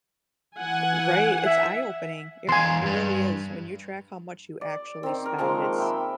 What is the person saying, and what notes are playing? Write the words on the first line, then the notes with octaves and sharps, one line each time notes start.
R right, it's eye opening, it it really is, when you track how much you actually spend, it's
E3 F#5 G#5
E5
E2 F5 G#5 C6
G2 G3
D5
D#3 C4
A#4
D#3 F3 G#3 A#3
E5 G5 B5